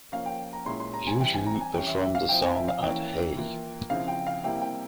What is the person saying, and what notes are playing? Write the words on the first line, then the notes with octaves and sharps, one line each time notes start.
Juju performed the song at Hey!
F3 A#3 C#4 F5
G5
A#5
A#2 G#3 C#4 E4 C6
C6
A#5
G#5
E3 G3 C4 G5
G#5
A#5
G#5
E3 G3 C#4 G5
E5
E5
F5
F3 C4 E4 G5
G#5
E5
F5
E3 A#3 C#4 E4 G5
E3 A#3 F4
C#3 F3 C4 E4 F5
G5
F5
C3 G3 A#3 E4 G5
G5